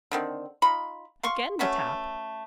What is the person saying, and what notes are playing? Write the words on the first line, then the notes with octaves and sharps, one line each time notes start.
Again the tap!
D3 D#3 C4
D#4 F4 B5
F5 C6 C#6
A3 C#4 F#4 B4